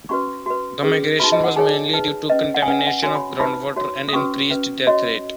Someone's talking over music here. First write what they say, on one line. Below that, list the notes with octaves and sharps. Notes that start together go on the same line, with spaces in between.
The migration was mainly due to contamination of groundwater and increased death rate.
C#4 F#4 B4 C#6
F#4 B4
C#4 G#4 B4
D#4 F#4 B4 B5
D#5
F#5
D#4 G#4 C#5 G#5
D#4 B4
C#4 B4 D#5
F#5
G#5
C#4 B4 F#5
G#5
F#5
F#4 C#5 G#5
B5
D#4 B4 B5
F#4 C#5
D#6
C#4 F#4 B4 C#6
C#4 B4
F#4 C#5 D#5